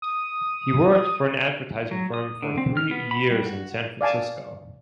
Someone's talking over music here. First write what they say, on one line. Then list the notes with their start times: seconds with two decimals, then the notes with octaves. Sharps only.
He worked for an advertising firm for three years in San Francisco.
0.02 D#6
1.91 F#3
2.14 D#6
2.42 D3
2.58 C4
2.77 F6
2.91 B3
3.11 B5
3.31 G3
3.45 F#4
4.01 D5 F5 G#5 A5